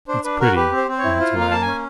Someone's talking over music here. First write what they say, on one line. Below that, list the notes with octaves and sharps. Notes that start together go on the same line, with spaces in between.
It's pretty in its way.
D4 C5
D4 B4
F#4 A#4
G4 B4
C4
C5
C4 C5
C#5
E4
F4 C5
A#3
F5
A#3 A5
C#4 G#5